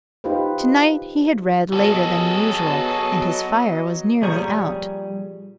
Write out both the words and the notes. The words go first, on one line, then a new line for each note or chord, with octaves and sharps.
To-night he had read later than usual, and his fire was nearly out.
D#4 F4 G4 B4 C5
F#3 B3 G#4 A4 D#5
A#2 F3 G3 G#4 C#5 A#5